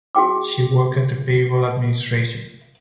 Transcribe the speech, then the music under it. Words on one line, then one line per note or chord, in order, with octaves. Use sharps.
She worked at the payroll administration.
F#4 G#4 G5 D6